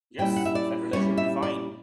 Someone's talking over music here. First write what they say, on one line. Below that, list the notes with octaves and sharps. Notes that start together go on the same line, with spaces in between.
Yes, Saturday should be fine.
A#2 G3 C#4 E4 G5
F#5
E5
D5
A#2 G3 C#4 E4 C#5
E5
D5